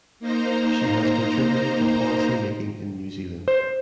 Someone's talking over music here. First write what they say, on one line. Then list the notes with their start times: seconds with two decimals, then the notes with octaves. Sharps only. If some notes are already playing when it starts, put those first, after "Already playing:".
She has contributed to policy making in New Zealand.
0.20 A#3 D#4 C5 A#5
3.48 C5